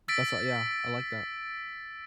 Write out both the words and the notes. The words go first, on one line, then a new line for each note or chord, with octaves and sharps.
that's a yeah, I like that.
E6 A6 B6 D7